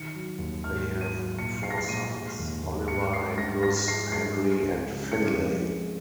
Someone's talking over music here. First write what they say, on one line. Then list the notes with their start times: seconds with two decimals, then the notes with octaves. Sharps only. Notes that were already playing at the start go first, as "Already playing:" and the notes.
They have four sons: Oliver, Angus, Henry and Finley.
Already playing: D#3 C#7
0.14 F#3
0.38 D#2
0.64 G#2 F6
0.88 F#3
1.01 D#7
1.13 F#3
1.38 A#2 C#7
1.63 G#3 C7
1.70 A#6
1.78 C7
1.88 A#2 D#7
2.14 G#3
2.39 D#2
2.63 D#2
2.88 G#2 C#7
3.13 G#2 C7
3.38 G#2 A#6
3.62 G#3 A#6
3.87 G#3 C7
4.12 G#3 C7
4.37 G#3
4.62 C#2
4.87 C#3
5.12 C#3 C#7
5.37 F2
5.62 G#3